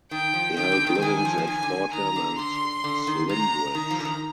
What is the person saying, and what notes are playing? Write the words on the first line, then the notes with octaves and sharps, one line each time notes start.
He held livings at Fordham and Slimbridge.
D#3 G5
F3
D#3 G5
D3
D#3
F3
D#3 G#5
F3
F3
D#3 G#5
D3
D#3 A#5
D3
D3 C6
D3
D#3
C3 A#5
D#3 A#5
F3
D3
D#3